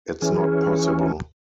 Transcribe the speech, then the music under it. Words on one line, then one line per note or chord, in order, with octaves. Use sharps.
It's not possible.
E3 C#4 G#4